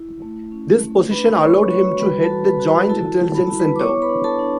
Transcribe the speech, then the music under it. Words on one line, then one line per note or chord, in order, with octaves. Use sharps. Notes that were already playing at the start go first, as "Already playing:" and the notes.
This position allowed him to head the Joint Intelligence Centre.
Already playing: E4
A3
C#4
A3
D4 B4 B5
G3 C#5 C#6
F#4 C#5 C#6
G3 B4 B5
A4 A5
F#4
B4 B5
F#4
B4 B5
E4 A4 A5
G3
B5
E4 A5
B4 B5
D6
B3 C#5 C#6
B4 B5
D4
A4 A5
D4